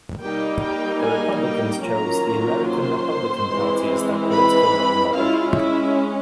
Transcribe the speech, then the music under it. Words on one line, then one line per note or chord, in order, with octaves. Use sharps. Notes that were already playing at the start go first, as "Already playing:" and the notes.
The Republicans chose the American Republican Party as their political role model.
G3 A#3 D#4 G4 G5
G4 G5
G#4 G#5
G4 G5
D#3 F#3 A#3 C#4 F4 A#4 A#5
C5 C6
E3 G#3 C4
B4 B5
G#3 C#4 E4 F4 F5
E4 E5